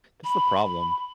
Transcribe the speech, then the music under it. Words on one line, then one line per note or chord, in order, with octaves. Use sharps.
That's the problem.
B5